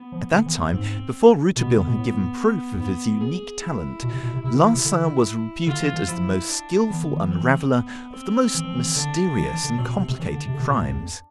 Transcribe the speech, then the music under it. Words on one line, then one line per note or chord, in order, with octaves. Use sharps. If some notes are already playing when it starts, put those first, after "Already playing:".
At that time, before Rouletabille had given proof of his unique talent, Larsan was reputed as the most skilful unraveller of the most mysterious and complicated crimes.
Already playing: B3
F3
D3
E3
F2
G#2 C4
B2 B3
B2
D3
B2
A2
F2
G#2 B3
G#4
E4
B2
C3
B2
C3
C3 E4
D3
E3
C3
D3
D3 F4
E3
E3
F3 E4
D4
E3 B3
D3
E3
C4
B3
C4
E3
F3
E3
E3
D3 D4
E3
E3
D3
B2 C4
B2
C3
C3
E3 D4
D3
C3
D3
C3
B2
A2
E2
F2